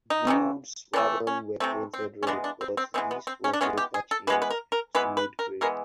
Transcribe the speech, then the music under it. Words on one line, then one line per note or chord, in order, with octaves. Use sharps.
Goods wagons were painted red but this was later changed to mid-grey.
D#4
C3 E3 A3
C3 E3 A3 D4
C#4
C3 E3 A3 C4
C4
C#4
E3 G#3 B3 D4
D4
C4
C4
E3 G#3 B3 C4
B3
C4
C#4
D4
E3 G#3 B3 C#4
G4
G#4
A4
E3 G#3 B3 B4
B4
A#4
A#4
E3 G#3 B3 B4
B4
A#4
E3 G#3 B3 A#4